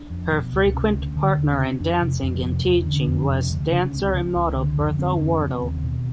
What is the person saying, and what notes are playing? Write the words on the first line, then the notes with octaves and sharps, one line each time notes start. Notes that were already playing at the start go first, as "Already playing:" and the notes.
Her frequent partner in dancing and teaching was dancer and model Bertha Wardell.
Already playing: D4
F2
B2
C#2
C3 C#4
D2
D3
D#2
C4
C#3 C#4
F2 D4
C3
F2
C3
E2
D3 D4
C#4
D4
F2
C3
D2
C#3 D4
C#4
C#2
C4
C#3
C#2
D3
F2
D3 C4
F2 C#4
C#3 C4
D#2
B2